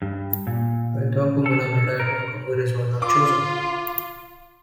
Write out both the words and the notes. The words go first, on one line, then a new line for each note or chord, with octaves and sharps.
When Tuanku Munawir died, Tuanku Muhriz was not chosen.
G2
A#2
A4
A#4
F4 D6